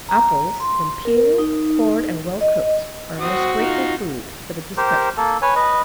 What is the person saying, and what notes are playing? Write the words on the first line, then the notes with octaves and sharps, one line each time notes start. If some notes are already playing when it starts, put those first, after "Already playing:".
Apples, when peeled, cored, and well cooked, are a most grateful food for the dyspeptic.
A#5
C6
A#4
D#4
D#5
C4 F#4 D#6
D#4 F4
G4 A#4 C5
A#3 A4
B4 C#5 G#5
B4 D#5